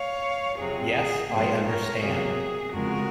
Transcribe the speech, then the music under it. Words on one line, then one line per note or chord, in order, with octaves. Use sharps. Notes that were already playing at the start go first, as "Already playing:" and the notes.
Yes, I understand.
Already playing: C#5 F5
F2 C3 F#3 G#4
G#4
G#2 F3 A#3 G#4 C5
A#4 C#5
C3 F#3 A#3 G#4
F2 C#3 G#3 F#4 A#4